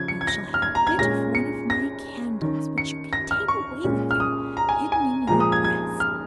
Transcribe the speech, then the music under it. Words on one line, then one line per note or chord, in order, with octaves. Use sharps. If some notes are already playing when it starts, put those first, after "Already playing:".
You shall have a bit of one of my candles, which you can take away with you hidden in your breast.
Already playing: C#3 F3 C#4 G#6
C#7
G#6
A#6
F6
G#6
A#5
G#6
A#2 G#3 C#4 A#6
C#7
A#6
D#3 C#4
C#7
A#6
F6
C#6
A#2 G#3 C#4
F6
D#6
A#5
G#5
G#5
A#2 F3 G#3 A#5
D#6
G#6
G#6
F6